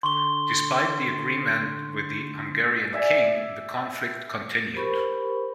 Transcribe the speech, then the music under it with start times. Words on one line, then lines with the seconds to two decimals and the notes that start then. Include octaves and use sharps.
Despite the agreement with the Hungarian King, the conflict continued.
0.03 D3 C6 C#6 G7
2.93 D5 E5 G#5
4.74 G4 A#4 C5 B5 C#6